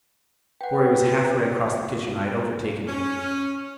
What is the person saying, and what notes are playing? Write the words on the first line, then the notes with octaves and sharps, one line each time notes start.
Before he was halfway across the kitchen I had overtaken him.
B4 F#5 G5
C#4